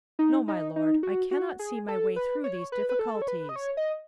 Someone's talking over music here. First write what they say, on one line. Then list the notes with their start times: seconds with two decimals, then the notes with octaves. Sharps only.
No, my Lord; I cannot see my way through these difficulties.
0.19 D#4
0.48 D#4
0.76 D#4
1.03 F#4
1.31 F#4
1.59 G#4
1.88 A4
2.16 B4
2.44 C#5
2.72 B4
2.89 B4
2.99 A4
3.22 C#5
3.28 B4
3.49 D#5
3.56 C#5
3.77 D#5